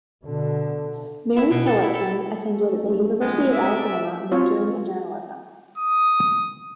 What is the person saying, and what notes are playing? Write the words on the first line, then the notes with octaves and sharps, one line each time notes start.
Mary Tillotson attended the University of Alabama majoring in journalism.
B2 D3
E4
B2
A4
E4
A4
A3
F#1
A#1 G2 C3 G#3 B3
C3 D5 E5
C4 F4 C#5
D#6